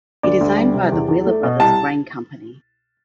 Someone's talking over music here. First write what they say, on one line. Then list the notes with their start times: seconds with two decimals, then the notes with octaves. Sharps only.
It is owned by the Wheeler Brothers Grain Company.
0.23 D2 D5
0.41 D2
0.57 G3
0.74 C3
0.92 E2
1.08 E2
1.26 A3
1.43 B2
1.60 C2 A5